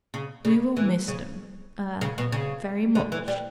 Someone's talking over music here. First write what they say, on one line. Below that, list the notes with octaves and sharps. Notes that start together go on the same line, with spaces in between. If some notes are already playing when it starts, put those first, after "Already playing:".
We will miss them--ah--very much.
C#3
C#3
E3
C#3
C#3
B2
C#3
D3
E3
G3